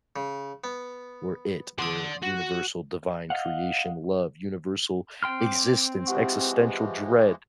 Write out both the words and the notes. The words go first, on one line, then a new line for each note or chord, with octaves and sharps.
we're it, or universal divine creation, love, universal existence, existential dread.
C#3
B3
D5 F#5 C6 D#6
F#4
D#5 F5 F#5
C4 G5 C6 F6
D6
E3 F3 G#3 G4 F#5 C#6